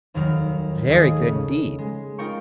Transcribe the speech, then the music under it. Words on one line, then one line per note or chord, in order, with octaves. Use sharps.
"Very good indeed."
F1 D#2 D#3 F#3 F6
D#2 D#3 A3 G#4 D#5 G#5
C#3
G#3
D#4 F4 A#4 G5 C#6 C#7